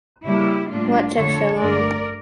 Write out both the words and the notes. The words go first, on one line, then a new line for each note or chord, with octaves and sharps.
What took so long?
C#3 G3 A#3 E4 G4
A2 G3 A#3 D4 F4
F2 D3 A3 A4 C#5
G2 D3 A3 A#4 D5